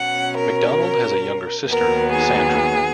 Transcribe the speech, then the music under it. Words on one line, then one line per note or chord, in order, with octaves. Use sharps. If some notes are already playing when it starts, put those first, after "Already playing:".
McDonald has a younger sister, Sandra.
Already playing: B2 F#3 C#4 F#5
A#4
D#2 D#3 F#3 B3 A#4
G#4